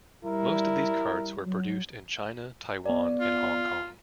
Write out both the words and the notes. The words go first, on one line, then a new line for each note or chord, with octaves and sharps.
Most of these carts were produced in China, Taiwan and Hong Kong.
G3 E4 A#4
F#3
B3 D5
F4